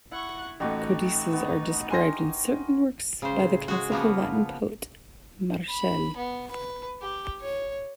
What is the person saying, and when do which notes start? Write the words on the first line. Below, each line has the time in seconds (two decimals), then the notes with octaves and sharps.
Codices are described in certain works by the Classical Latin poet, Martial.
0.12 E4 F#5 C#6
0.60 A1 A3 D#4 F#4 G4
1.32 B3
1.90 A#4 G#5 C6 A#6
3.22 C#3 C5
3.39 A2
3.68 G#3 F#4
3.90 C#3 F3 A#3 B3
5.70 B5
6.17 B3
6.51 B4
7.02 G4
7.40 C#5